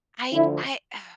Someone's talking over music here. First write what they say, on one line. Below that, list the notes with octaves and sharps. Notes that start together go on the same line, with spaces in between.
I I Ugh.
D2 D3 F3 E4